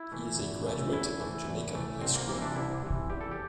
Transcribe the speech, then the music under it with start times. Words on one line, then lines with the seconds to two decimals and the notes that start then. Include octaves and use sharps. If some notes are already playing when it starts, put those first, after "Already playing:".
He is a graduate of Jamaica High School.
Already playing: E4
0.12 E3 A3
0.39 E2
0.66 E3 A3
0.93 E2 E4
1.20 E3 A3
1.47 E2
1.74 E3 A3
2.01 C2 C4
2.15 A#3
2.28 C3 E3 A#3
2.42 D4
2.55 C2 E4
2.82 C3 E3
3.09 E2 G4
3.21 A4
3.31 G4